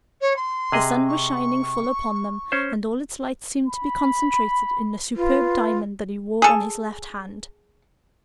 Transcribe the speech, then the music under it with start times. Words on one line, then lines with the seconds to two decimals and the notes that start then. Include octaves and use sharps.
The sun was shining full upon them, and all its light seemed to be concentrated in a superb diamond that he wore on his left hand.
0.21 C#5
0.36 C6
0.72 C3 G#4 D#5
1.08 C#6
2.52 C#4 C5
3.67 B5
5.16 F4 B4
6.42 G#4 A4